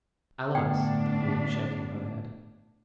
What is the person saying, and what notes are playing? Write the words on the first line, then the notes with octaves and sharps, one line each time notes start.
"Allies!" said the queen, shaking her head.
A2 D3 B3 D4 G5